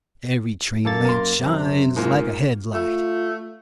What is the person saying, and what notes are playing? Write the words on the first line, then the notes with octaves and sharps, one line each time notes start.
Every train lamp shines like a head-light.
F#2 A#3 A4 A6
A#4 C6
F#2 C3
G#2 A#3 F4
A3 F4